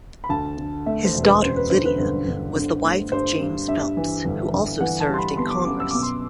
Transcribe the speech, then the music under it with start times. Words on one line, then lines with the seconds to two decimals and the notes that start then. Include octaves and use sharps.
His daughter Lydia was the wife of James Phelps, who also served in Congress.
0.24 B5
0.29 D2 A5
0.57 D3
0.86 A3 E5
1.05 C5
1.15 E1
1.24 B4
1.42 F#2 C5
1.56 B4
1.70 D3 C5
1.85 B4
1.99 G1 C5
2.27 G1
2.56 D3
2.84 A3
3.11 G2 C5
3.40 G2
3.67 G2 E5
3.97 E3
4.25 G1
4.53 G1
4.81 E3 F#5
5.00 A5
5.09 G3 C6
5.18 B5
5.37 B3 C6
5.51 D6
5.65 F#2 D6
5.80 E6
5.91 B2 D6
6.03 C6